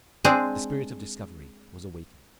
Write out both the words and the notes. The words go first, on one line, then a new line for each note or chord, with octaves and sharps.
The spirit of discovery was awakened.
G#3 C4 D4 G#4